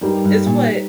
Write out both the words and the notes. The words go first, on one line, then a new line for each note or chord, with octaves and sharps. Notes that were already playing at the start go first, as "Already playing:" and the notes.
it's what
G2 G3 D#4 A#4
G2
A#2